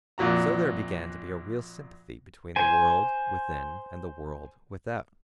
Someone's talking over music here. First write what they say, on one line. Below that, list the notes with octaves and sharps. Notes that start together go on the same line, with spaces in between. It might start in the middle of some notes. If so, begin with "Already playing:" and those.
And so there began to be a real sympathy between the world within and the world without.
A#1 F2 A#2 F#4 A#5
C5 G#5